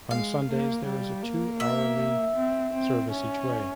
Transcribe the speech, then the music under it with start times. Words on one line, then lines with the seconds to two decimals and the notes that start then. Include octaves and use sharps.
On Sundays, there is a two-hourly service each way.
0.10 G#3 F5
0.49 A#3
0.86 G3
1.23 A#3
1.60 E5
2.36 C4
2.73 C4
3.11 C#4